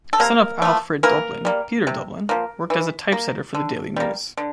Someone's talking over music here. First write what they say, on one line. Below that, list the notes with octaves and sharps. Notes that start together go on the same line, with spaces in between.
A son of Alfred Döblin, Peter Döblin, worked as a typesetter for the "Daily News".
A4
C3 A#3 A#4
F3 A3
E3 A#3 A#4
G3 A#3
C3
F3 A#3
E3
A#3
D3
G3 A#3
D3